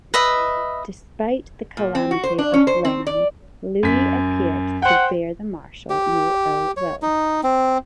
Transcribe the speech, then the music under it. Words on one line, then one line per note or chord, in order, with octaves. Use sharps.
Despite the calamity of Blenheim, Louis appeared to bear the Marshal no ill will.
B4 D#5 E5
A#2
C4
F#4
C5
D4
C#4
C5
C4
D5
F#2 B6
C5 F#5 G5
G4
C#5
D#4
C4